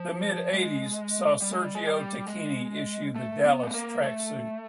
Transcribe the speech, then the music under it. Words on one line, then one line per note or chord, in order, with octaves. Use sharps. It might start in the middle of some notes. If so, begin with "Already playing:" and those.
The mid-eighties saw Sergio Tacchini issue the "Dallas" tracksuit.
Already playing: F3
G#3
G3
G#3
G3
G#3
G3
G#3
A3
B3
A3
A#3
A3